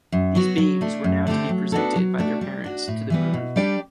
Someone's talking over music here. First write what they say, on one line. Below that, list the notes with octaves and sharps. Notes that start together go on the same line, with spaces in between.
These babes were now to be presented by their parents to the moon.
F#2
F#3 B3 F#4
F#3
A3 D4
F#2
D3 A3 C4 G4
F#3
B3 D4 F#4 A4
F#3
A3 D4 F#4
G3
D4 F#4
A2
E3 G3 B3
B2
G3 D4 G4 D5